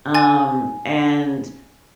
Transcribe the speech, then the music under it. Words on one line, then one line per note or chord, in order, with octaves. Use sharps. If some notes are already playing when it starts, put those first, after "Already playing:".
um, and,
G#5 A6